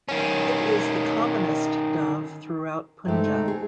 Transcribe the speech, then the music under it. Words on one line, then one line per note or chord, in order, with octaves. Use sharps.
It is the commonest dove throughout Punjab.
D#3 C#4
G2 G#3 A3 C4 D#4
E4 G#4